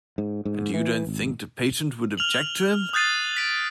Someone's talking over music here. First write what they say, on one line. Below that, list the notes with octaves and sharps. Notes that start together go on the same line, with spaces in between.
And you don't think the patient would object to him?
G#2
G#2
E3
G#1
F6 F7 F#7
D#6 F#6 G6 A6 C7 D#7
B6 D7